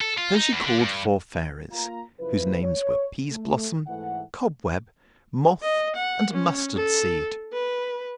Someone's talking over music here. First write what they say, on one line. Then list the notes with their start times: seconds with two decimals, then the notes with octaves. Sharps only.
So she called four fairies, whose names were Peaseblossom, Cobweb, Moth, and Mustardseed.
0.01 A4
0.18 F4
0.34 D#4
0.52 E2
0.66 D3
0.79 G2
1.71 A#3 F4 A#5
2.19 F#1 F3 A#3 E4 B4
2.63 C#5
3.30 A3
3.87 G#2 E3 A3 F#5
5.63 D#5
5.96 F#5
6.33 C#4
6.76 A4
7.53 B4